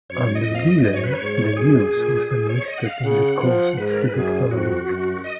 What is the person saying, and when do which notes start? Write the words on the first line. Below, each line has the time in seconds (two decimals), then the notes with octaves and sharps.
Under Dealey, the News was enlisted in the cause of civic planning.
0.10 F#2 C#5
0.35 D#5
0.47 F2
0.55 F5
0.59 D#5
0.84 F#2 D#5
0.94 C#5
1.04 B4
1.14 C#5
1.20 G#2
1.57 F#2 G#4
1.94 A#2
2.31 G#4
2.49 C#5
2.68 D#5
2.78 F#5
2.86 F5
3.04 C#3 F#5
3.41 F3 F#5
3.77 G#2 B4
3.89 A#4
4.01 B4
4.14 F#2 G#4
4.51 F2 F#4
4.88 F#2
5.24 D#5